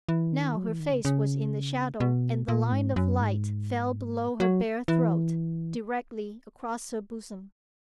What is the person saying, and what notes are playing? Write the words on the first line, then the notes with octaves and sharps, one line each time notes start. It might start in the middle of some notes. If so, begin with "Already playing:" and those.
Now her face was in the shadow and the line of light fell below her bare throat, directly across her bosom.
E3
D#3
F#3
E3
D#3
C#3
C#3
B2
A#2
G#2
F#2
G#2
F#3
E3